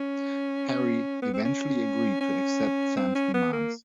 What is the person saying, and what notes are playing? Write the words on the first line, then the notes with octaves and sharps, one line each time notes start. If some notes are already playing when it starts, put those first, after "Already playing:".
Harry eventually agreed to accept Sam's demands.
Already playing: C#4
C#4
B3
C4
C#4
C#4
C4
C#4
B3
A#3